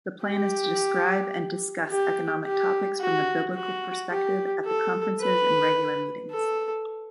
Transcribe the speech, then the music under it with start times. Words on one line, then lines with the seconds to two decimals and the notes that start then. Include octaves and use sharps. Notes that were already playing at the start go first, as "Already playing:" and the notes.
The plan is to describe and discuss economic topics from a biblical perspective at the conferences and regular meetings.
0.25 G4
1.90 G4
2.46 G4
3.01 F#4
3.56 F#4
4.11 G4
4.66 A4
5.21 B4
6.32 A4